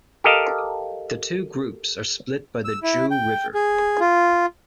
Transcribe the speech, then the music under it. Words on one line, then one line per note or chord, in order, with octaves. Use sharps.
The two groups are split by the Jiu River.
G4 A4 A#4 D#5 F5
E6
E4
G5
G#4
F4